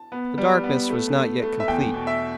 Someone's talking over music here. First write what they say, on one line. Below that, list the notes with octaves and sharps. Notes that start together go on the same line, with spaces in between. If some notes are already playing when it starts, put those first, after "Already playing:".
The darkness was not yet complete.
Already playing: A5
B3
G3
B3
A3
A3
A3
E5
E2 G5
B2
E5